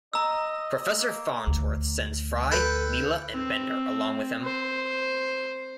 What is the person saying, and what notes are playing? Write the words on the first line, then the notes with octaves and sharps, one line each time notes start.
Professor Farnsworth sends Fry, Leela, and Bender along with him.
D#5 A#5 E6
A#3
D2
A4 B4 G5
C4
C5